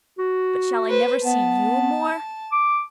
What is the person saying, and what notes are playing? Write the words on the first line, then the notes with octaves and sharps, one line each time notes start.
But shall I never see YOU more?
F#4
B4 C5
B3 A5
D6